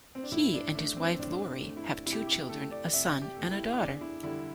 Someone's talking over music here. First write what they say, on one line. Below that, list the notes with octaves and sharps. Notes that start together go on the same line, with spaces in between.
He and his wife Laurie have two children, a son and a daughter.
C4
D4
A2 E4
D4
A3 D4
C4
A2 D4
A3
E4
C3 E4
G4
E4
G4
A3 A4
D5
C3 E5
G4
A3
E4
E2 D4
E4
D3 G3 E4